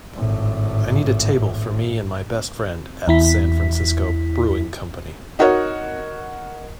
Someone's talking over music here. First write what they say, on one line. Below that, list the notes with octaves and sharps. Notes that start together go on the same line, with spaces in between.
I need a table for me and my best friend at San Francisco Brewing Company.
G#1 A2
E2 E4 B6
D#4 F#4 A#4 C#5 D#5